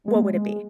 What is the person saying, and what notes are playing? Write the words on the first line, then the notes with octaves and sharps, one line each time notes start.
what would it be?
G#3
A#3
G#3
G#3